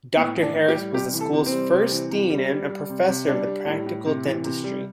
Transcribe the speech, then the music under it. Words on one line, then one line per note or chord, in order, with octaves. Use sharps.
Doctor Harris was the school's first dean and a professor of practical dentistry.
A2 B3
E3
D4
A2
G4
G3
C3 G4
E3
A4
C3
C4
G3
C3
E3
C3
G3
G3
G3
C3
C3
G3 D4
G3
A2
A2
C3
E3
C3
G3